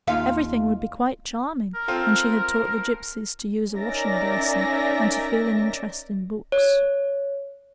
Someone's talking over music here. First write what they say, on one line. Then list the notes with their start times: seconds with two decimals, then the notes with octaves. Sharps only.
Everything would be quite charming when she had taught the gypsies to use a washing-basin, and to feel an interest in books.
0.07 D#2 F4 F5
1.74 A#4
1.88 C4 F4 A4
3.75 C#4 D#4 A#4 D5 E5 A#6
6.52 C#5